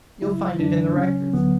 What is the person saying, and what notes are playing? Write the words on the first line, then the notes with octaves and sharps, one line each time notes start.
You'll find it in the records.
C#2 C#3 F#3 E4
F#2 D3 F#3 D4
C#2 C#3 F#3 C#4
D2 D3 F#3 B3